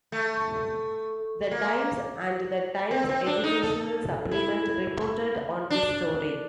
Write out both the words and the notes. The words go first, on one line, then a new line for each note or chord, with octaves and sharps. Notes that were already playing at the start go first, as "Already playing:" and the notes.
"The Times" and "The Times Educational Supplement" reported on this story.
A3
A#3
C4
C4
D4
D#4
A4
E4
D4